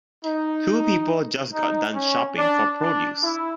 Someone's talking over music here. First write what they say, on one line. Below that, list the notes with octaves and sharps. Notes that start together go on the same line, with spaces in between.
Two people just got done shopping for produce.
D#4
D#4
C#4
D4
D4
E4